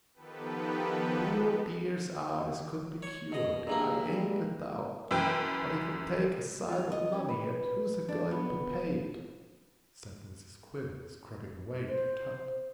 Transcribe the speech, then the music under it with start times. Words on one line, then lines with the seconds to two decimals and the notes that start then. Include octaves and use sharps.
'The poor dear's eyes could be cured, I ain't a doubt; but it would take a sight of money, and who's agoing to pay it?' said Mrs. Quinn, scrubbing away at her tub.
0.14 D#3 F3 B3 G4 A4 B4
3.03 C#5 C#6
3.32 B2 D#5
3.67 A#2 E3 A#3 D4 G4 G#4
4.08 G3 G#3
5.11 F#2 E3 B4 G5
6.68 F4
6.92 D#5
7.13 C#4
7.29 B4
8.08 D4
8.31 B3
11.89 C5